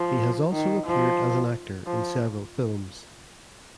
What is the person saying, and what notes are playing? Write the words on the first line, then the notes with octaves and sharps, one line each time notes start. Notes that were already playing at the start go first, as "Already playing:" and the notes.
He has also appeared as an actor in several films.
Already playing: F3
D#3
F3
F3